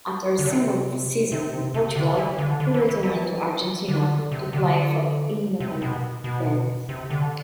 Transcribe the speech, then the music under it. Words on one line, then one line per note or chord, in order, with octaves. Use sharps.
After a single season in Portugal, he returned to Argentina to play for Independiente.
D3
C3
C3
C3
D3
E3
D3
D3
E3
E3
E3
D3
C3
D3
C3
B2
B2
C3
D3